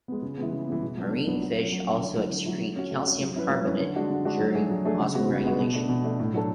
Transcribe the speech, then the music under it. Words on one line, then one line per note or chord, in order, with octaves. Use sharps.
Marine fish also excrete calcium carbonate during osmoregulation.
G#3 B3
C#3
E3 G#3 B3
C#3
E3 G#3 B3
B2
F#3 B3 D4
B2
F#3 B3 D4
F#3
A3 C#4
F#3
A3 C#4
D3
F#3 A3 E4
D3
F#3 A3 E4
A3
C#4 F#4
A3
C#4 F#4
F#3
C#4 E4 B4
F#3
C#4 E4 B4
D3
G#3 D4 F#4
D3
G#3 D4 F#4
F#3
A3 D4 G#4
F#3
A3 D4 G#4
C#3
G#3 B3 F#4
C#3
G#3 B3 F#4
B2
A3 D4
B2
A3 D4
A2
F#3 A3 D4 A4